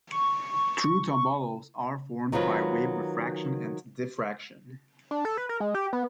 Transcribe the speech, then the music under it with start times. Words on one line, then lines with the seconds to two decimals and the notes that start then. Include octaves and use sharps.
True tombolos are formed by wave refraction and diffraction.
0.11 C#6
2.32 D#3 F#3 C4 F4 B4
5.11 D4
5.25 A4
5.37 B4
5.49 A#4
5.60 G#3
5.75 G4
5.93 B3